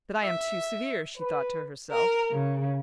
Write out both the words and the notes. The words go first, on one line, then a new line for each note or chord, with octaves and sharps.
"But I am too severe," she thought to herself.
E5
B4
A#4
C#3